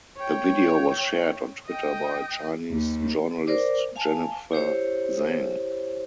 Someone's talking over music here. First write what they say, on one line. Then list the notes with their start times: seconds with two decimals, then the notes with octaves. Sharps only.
The video was shared on Twitter by Chinese journalist Jennifer Zeng.
0.16 C#5 G5
1.66 D#5 G5
2.71 D#2
3.47 A#4 C5 D5 D6
3.96 F5 G#5 A5
4.52 E4 G4 C5 C#5